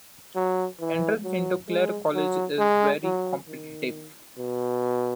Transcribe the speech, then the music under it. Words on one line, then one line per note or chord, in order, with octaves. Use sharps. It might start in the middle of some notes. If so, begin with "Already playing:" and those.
Entrance into Clare College is very competitive.
F#3
E3
F#3
G#3
F#3
G#3
F#3
D#3
B2